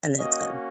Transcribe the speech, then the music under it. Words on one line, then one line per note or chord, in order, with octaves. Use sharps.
And then it's gone.
A#3 C#4 F#4 D#5